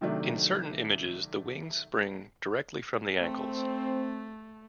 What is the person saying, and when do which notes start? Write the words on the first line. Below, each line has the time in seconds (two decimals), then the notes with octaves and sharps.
In certain images, the wings spring directly from the ankles.
0.01 C3 D#3 F#3 A3 D4
3.19 A3 C4